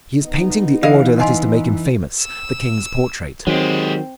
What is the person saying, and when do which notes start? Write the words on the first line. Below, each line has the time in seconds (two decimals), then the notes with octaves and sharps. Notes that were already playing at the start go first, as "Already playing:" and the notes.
He is painting the order that is to make him famous: the King's portrait.
0.22 B3 D#4
0.83 E3 E4 D#5 F5
1.20 D#5 F5 G#5 C6
2.21 E6
3.47 D#3 F#3 G#3 C4 G4